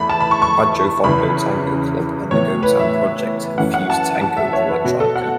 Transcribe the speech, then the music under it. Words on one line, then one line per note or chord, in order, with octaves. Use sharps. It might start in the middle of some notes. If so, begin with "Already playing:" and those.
Bajofondo Tango Club and the Gotan Project have fused tango with electronica.
Already playing: E2 E3 A3 B5
A5
B5
C#6
C#6
E2 C#3 E3 C#4 B5
A2 E3 B3 C#5
B4
E5
F#2 E3 A3 C#4 F#5
F#5
A5
A5
E5
C#5
B4
B2 B3 F#4
A4
F#5